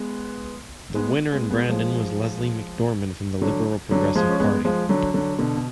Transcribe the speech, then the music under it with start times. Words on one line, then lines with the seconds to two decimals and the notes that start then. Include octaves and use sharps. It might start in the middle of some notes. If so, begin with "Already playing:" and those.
The winner in Brandon was Leslie McDorman from the Liberal-Progressive party.
Already playing: G#3 B3
0.95 G#3 B3
1.32 G#3 B3
1.51 G#3 B3
1.69 F3 G#3
3.42 D3 F#3
3.91 D3 F#3
4.15 F3 G#3
4.29 C#4
4.40 G#3 B3
4.65 F3 G#3
4.89 D3 F#3
5.14 D3 F#3
5.39 B2 D3
5.56 B2